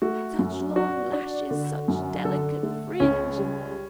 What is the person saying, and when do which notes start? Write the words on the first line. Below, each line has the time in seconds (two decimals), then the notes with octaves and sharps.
Such long lashes, such delicate fringe!
0.02 A3 F#4
0.39 F#2
0.76 D4 F#4
1.13 D4
1.51 D3
1.88 F#2
2.25 D3 A4
2.63 A3
3.00 C#2 C#4
3.38 G3